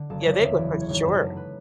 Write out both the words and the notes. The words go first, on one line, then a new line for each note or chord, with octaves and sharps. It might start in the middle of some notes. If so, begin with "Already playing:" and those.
Yeah. They would, for sure.
Already playing: D3
F#1 A4
F#1 C#5
D5
E2 E5
E3 D5
E3
C#5
G#1
F#2 A4
F#2 A4
B4